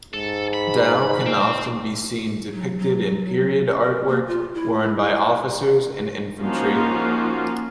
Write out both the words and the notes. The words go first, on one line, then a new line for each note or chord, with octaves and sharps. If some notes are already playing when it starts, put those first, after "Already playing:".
Dao can often be seen depicted in period artwork worn by officers and infantry.
G#2 A4
B5
C4
F#3
F#3
A#4
A#3
F4
E4
F3 A#3 C#4 D#4 F4 F#4